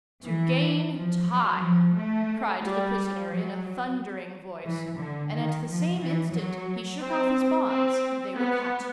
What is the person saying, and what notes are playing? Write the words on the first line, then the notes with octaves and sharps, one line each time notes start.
"To gain time!" cried the prisoner in a thundering voice, and at the same instant he shook off his bonds; they were cut.
E3
F3
F#3
F3
A3
G3
F#3
E3
D3
D#3
F3
E3
F#3
C4
C4
B3